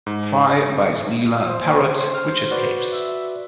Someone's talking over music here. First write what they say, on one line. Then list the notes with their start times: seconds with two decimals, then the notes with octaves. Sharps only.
Fry buys Leela a parrot, which escapes.
0.06 G#2
1.47 C5
2.15 F6
2.51 F#4 B4 D5
2.92 E5